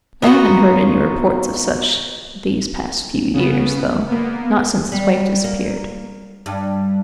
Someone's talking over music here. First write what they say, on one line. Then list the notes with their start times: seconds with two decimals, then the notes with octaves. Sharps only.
I haven't heard any reports of such these past few years, though--not since his wife disappeared.
0.22 B3 D#4 F4 F#4
3.34 C#3 B3
4.09 A#3 B3
4.92 G3
5.44 A#3
6.46 G2